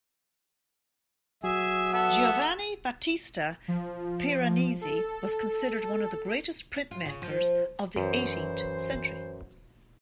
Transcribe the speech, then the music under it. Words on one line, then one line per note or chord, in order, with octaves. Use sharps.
Giovanni Battista Piranesi was considered one of the greatest printmakers of the eighteenth century.
F#3 G#4 E5
B3 A4 E5
F3
A4
F4
C#3
F3
F#2 E3 C5